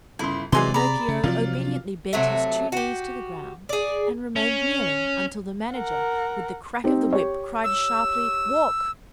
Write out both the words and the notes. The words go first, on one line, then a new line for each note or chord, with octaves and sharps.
Pinocchio obediently bent his two knees to the ground and remained kneeling until the Manager, with the crack of the whip, cried sharply: "Walk!"
G1 C#3 E4 C6
C3 E3 F#3 G#3 D5 G#5 C6
G#4 D5 A#5 B5
C#3
C3 F3 F#3 F4
C3 F#3 A3
F#4 G4
G#4 D5
C#4
A#4 F#5
C4 D#4 G4
G4 C#5
E6